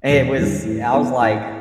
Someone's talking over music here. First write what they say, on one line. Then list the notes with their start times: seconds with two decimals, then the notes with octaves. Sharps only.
It was I was like,
0.09 E1
0.37 E2 D3 G3
0.66 A2
0.94 E3 B3
1.22 A2